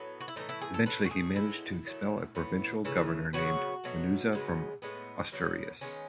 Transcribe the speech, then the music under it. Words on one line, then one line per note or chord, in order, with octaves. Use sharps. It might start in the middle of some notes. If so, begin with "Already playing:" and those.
Eventually, he managed to expel a provincial governor named Munuza from Asturias.
Already playing: A2 F#3 B3
F#4
E4
A2 E3 A3 D#4
E4
G#4
A4
A2 F#3 A3 B4
F#4
G#4
A2 G#3 B3 E4
D#3 F#3 A3
A2 E3 B3
C#3 E3 A3
C#3 F#3 B3 F#4
B2 F#3 A3
C#3 G#3 B3
A2 G#3 B3
B2 F#3 B3
D#3 G#3 B3 C#4